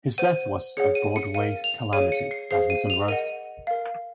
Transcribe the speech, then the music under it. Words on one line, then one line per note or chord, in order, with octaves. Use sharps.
"His death was a Broadway calamity," Atkinson wrote.
C5 F#5 D#7
G#4 C#5 F#5 C#7
D#7
C#7
A#4 F5 D#7
F7
G#4 C#5 F5 D#7
C#7
C7
G#4 C5 F5 C7
D#7
F7
A#4 D#5 F#5 D#7
A#4 F5